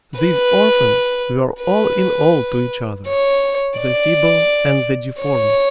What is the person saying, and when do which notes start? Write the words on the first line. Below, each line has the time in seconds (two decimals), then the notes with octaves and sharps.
These orphans were all in all to each other, the feeble and the deformed.
0.20 B4
1.63 B4
3.08 C#5
3.79 D5
5.23 C#5